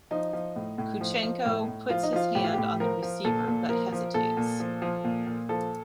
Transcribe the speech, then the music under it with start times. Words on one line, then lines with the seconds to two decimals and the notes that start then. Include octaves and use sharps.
Kuchenko puts his hand on the receiver but hesitates.
0.11 F3 D#4
0.33 F3
0.56 A2
0.78 A2
1.01 F3
1.23 F3
1.46 A2
1.68 A2
1.90 F3 F4
2.03 D#4
2.13 F3 F4
2.35 A2 G4
2.44 F4
2.53 A2 G4
2.80 F3 A#4
3.02 F3
3.25 A#2 A4
3.48 A#2
3.69 F3 A#4
3.92 F3
4.14 A#2 A4
4.37 A#2
4.60 F3
4.82 F3
5.04 A#2
5.27 A#2
5.49 F3 A4